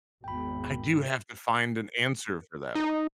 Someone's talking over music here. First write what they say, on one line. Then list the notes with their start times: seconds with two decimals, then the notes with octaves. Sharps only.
I do have to find an answer for that one.
0.24 G#1 E2 G5 B5
2.75 D#4